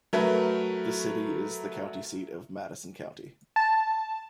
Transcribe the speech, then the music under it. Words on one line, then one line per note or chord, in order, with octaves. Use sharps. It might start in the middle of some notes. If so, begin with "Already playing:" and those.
The city is the county seat of Madison County.
F#3 A3 A#4 B4
A5